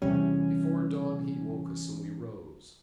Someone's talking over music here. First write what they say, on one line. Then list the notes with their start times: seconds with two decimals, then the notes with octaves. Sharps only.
Before dawn he woke us, and we rose.
0.02 E2 C3 E3 G3 C#4